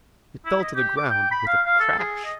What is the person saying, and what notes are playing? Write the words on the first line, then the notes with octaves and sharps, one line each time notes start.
It fell to the ground with a crash.
E4
D#5
G4
D6
G5
B5
F5
F5
A4
G#4
D#5